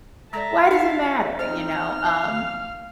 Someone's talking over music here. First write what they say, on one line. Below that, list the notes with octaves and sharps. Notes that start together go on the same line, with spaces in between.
why does it matter?" you know? Um,
G#3 A4 D5 E5 A5 A#5
D#4 F5 F#5 C6
C4 D#4 C5 D5 D#5 F6
E5 F5